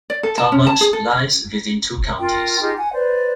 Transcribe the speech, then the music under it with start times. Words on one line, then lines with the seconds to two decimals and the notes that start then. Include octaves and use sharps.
Tallmadge lies within two counties.
0.10 D5
0.23 A4
0.38 A5
0.52 C#4
0.67 A5
0.81 G#4
0.93 A4
2.19 F4 A#4 G5
2.60 D#4 F4 G4 G#4
2.76 F#5 G#5
2.92 B4 C5 D5